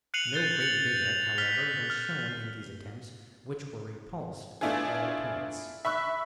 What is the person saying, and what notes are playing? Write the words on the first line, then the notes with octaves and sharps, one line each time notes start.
No great vigour, however, was shown in these attempts which were repulsed at all points.
F#6 C7 C#7 D#7 F7 F#7
F#6 G6 A6 G7
C#7 F7 F#7
F7
F6 B6 G7
F6
A3 B3 D4 E4 F4 G#4
E5 B5 C#6 E6 F#6